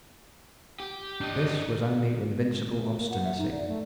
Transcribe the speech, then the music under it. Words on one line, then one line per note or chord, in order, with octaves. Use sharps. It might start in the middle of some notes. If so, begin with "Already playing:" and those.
This was only invincible obstinacy.
G4
D4 D#5
A3
A#3
F#5
E5
D#4
D5
A3